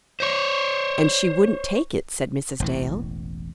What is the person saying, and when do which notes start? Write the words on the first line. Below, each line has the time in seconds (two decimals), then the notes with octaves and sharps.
"And she wouldn't take it," said Mrs. Dale.
0.20 C5 C#5
2.60 E1 A1 E3